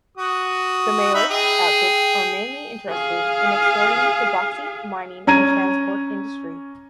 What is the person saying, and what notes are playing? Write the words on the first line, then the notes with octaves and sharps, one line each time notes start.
The Maoist outfits are mainly interested in extorting the bauxite mining and transport industry.
F#4 D#6
D#4 E5 B5
G#4 G5
G#4 F5
C#4 A#5 G#6 D#7